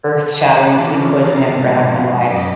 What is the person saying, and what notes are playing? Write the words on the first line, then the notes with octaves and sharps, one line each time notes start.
earth shattering food poison I've ever had in my life.
F#5 A5 B5 D6
C#3 E3 F3 C#4 D4
D3 B3 A#5 A6 C7
G#2 B2 F3
F#4
F#2 D#5 D6 B6